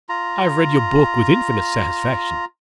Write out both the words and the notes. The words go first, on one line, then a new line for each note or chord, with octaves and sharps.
I have read your book with infinite satisfaction.
F4 A#5